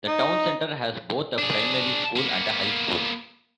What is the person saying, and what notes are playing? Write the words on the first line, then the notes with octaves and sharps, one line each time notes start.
The town center has both a primary school and a high school.
D#4
D4 G#4
A#3 B3